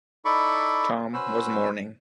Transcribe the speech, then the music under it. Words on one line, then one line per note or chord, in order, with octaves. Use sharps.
Tom was mourning.
D#4 E4 A4 D5 B5 C#6
C#4 F#4 B4 C5 E6